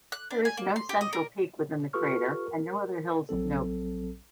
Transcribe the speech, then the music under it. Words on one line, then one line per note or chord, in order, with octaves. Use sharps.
There is no central peak within the crater, and no other hills of note.
F#6
D4
G#5
A#3
C6
G4
D#5
A#4
F4 G4 A4 B4 C#6 F6
A#4
A#1 F#3 C4 A4